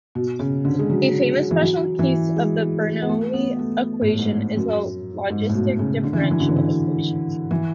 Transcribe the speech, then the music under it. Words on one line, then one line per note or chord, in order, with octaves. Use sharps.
A famous special case of the Bernoulli equation is the logistic differential equation.
B2
C#3
D3
G#3
F#3
E3
F#3
E3
G#3
B3
A3
B3
A3
A2
G#2
F#2
G#2
A2
B2
C#3
D3
E3
D3
E3
D3
E3
D3
E3